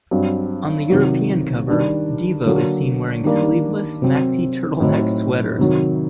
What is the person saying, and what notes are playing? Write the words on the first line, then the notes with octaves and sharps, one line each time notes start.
On the European cover, Devo is seen wearing Sleeveless Maxi-Turtleneck Sweaters.
G2 F#3 C4
C3 D#3 F#3
D#3 G3 D4
D3 F#3 A#3 D4
D#3 G3 A#3 D4
C3 F#3 C4
A2 F#3 C4 D#4
C3 D#3 F#3